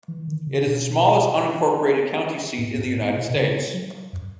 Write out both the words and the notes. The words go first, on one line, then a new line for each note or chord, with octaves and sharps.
It is the smallest unincorporated county seat in the United States.
E3
D#3
C#3
B2
A2
G#2
A2
B2
B2
C#3
F#3
F#2